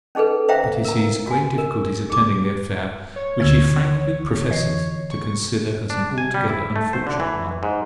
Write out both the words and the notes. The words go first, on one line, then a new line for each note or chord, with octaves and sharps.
But he sees great difficulties attending the affair--which he frankly professes to consider as an altogether unfortunate one.
C#4 D#4 G#4 A4 B4
C#4 C5 E5 F5 G5 A#5
A#4 A#5
F#4 G#5
A#4
G#4 D6
C#5
D2 D3 E6 G#6
E3 D#5 C7
C#6
D4
G#5
G3
E4
A3
C5
D3
E3
G#2